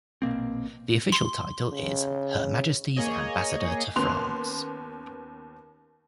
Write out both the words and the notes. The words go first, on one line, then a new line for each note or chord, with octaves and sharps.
The official title is Her Majesty's Ambassador to France.
A#1 B2 A#3 C4
C6 G7
C#3
A#3 G#4 C#5 D#5
D#2 B3 C#4 C6 F#6 F7